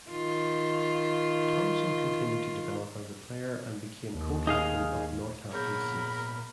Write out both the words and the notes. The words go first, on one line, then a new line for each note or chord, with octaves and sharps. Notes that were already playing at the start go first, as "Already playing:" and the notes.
Thompson continued to develop as a player and became co-captain of Northampton Saints.
D#3 F4
D#2
D#4 G#4 F5
A#2 B3 G#4 A#4 C#5 B5 G6